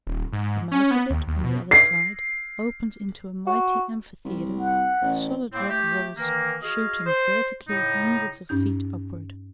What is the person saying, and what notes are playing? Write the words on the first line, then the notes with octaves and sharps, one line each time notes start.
The mouth of it on the other side opened into a mighty amphitheatre with solid rock walls shooting vertically hundreds of feet upward.
D#1
G#2
C#4
B3
D#2
D#2
B2
C7
F#4
C2
F#5
A1
A2 A#3 C4
A3 G4
D#3 E3 A#3
F#4 G#4 D#5 F5
C5
A2 C#3 D#4
G2 C#4 D#4 G6